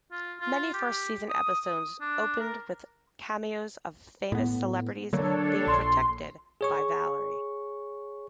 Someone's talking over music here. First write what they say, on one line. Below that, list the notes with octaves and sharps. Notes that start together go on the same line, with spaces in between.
Many first season episodes opened with cameos of famous celebrities being protected by Vallery.
F4
F4
G4
D#6
D#6
D4
A#4
A2 B3
D3 F#3 A#3 D4 A4 C#5
A#1 C6
G#4 C#5 C#6